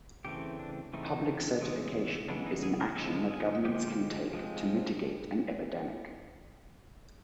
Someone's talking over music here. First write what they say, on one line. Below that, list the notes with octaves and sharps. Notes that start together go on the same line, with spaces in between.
Public certification is an action that governments can take to mitigate an epidemic.
C#3 E3 A3 C4 G4
D4
C#3 E3 A3 C4 D#4
C#3 E3 G#3 B3
C#3 E3 G#3 B3 D4
D#4
G#4
A#4
D3 F3 G#3 A4
G#4
D3 F3 G#3 G4
F3 G#3 C4